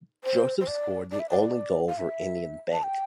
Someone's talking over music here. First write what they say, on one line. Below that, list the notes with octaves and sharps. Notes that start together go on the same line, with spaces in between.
Joseph scored the only goal for Indian Bank.
C5
C5
D5
D5
E5
D5
F5
E5
A5
G5